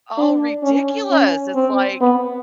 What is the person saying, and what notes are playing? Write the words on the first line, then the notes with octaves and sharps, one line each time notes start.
oh, ridiculous, it's like,
D4
C#4
C#4
C4
B3